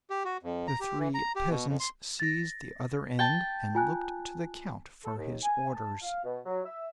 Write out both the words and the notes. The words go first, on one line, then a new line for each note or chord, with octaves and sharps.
The three peasants seized the other end, and looked to the count for his orders.
G4
F#4
F2
A#5
G4
E3
A#5
G4
B2
F2
C6
A6 A#6
G5 A5
F4 G#5 F#6
A4
D#2
G#5
A5
F5
B2
F#3
E5